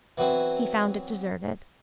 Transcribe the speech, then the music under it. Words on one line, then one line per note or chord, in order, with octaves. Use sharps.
He found it deserted.
E3 F#3 B3 C4